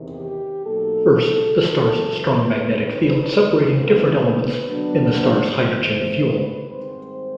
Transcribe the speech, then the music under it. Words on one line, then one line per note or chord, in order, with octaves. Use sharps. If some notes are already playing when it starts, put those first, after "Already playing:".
First, the star's strong magnetic field separating different elements in the star's hydrogen 'fuel'.
Already playing: E2 C3 D#3
G4
B2 F#3 A#3 D#4 A4
F#2 C#3 E3 G#3 A4
B4
D3 G3 C4 D#4
G#2 E3 A3 C4 D#4 B4
D3 F#3 B3 D4
C5
C3 E3 A3
B4
G#2 D#3 G3 C4 C5